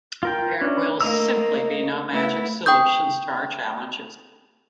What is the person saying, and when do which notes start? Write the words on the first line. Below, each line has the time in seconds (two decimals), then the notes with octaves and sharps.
There will simply be no magic solutions to our challenges.
0.23 F4 A#4 G5
0.61 C#4 D4
1.01 A3 A#3 D#5 A#5 E6
2.09 A3 B3 E4
2.66 G5 C#6 D#6 G6